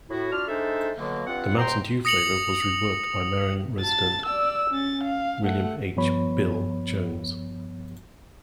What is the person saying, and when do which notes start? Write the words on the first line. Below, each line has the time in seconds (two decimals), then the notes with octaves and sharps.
The Mountain Dew flavor was reworked by Marion resident William H. "Bill" Jones.
0.10 A2 E4 F#4
0.32 D4 F4 F#4 F6
0.48 G#3 D4 D#4 A4 C5 E5
0.98 B2 D3 F#3 A#3
1.27 G2 C4 F4 F#5
1.58 C#2 C5 G5 A#5 C6
2.05 D#6 A#6 C#7 F7 F#7
3.81 A5 A6
4.26 D5 E6
4.70 C#4 A6
5.04 F5
5.42 A3 F#5
5.97 G2 F3 B3 C#5 B5